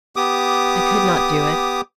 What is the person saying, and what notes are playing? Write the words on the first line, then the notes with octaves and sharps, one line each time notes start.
I could not do it.
B3 G4 D6 D#6